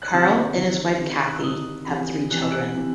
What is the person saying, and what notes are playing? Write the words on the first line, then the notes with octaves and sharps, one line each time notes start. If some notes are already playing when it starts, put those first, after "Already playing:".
Karl and his wife Kathi have three children.
F#6
C3 D#3 E6
C3 D#3
C3 D#3
F#6
E6
C3 D#3 D#6
C3 E3
C3 E3 F#6
E6
F#6
C3 E3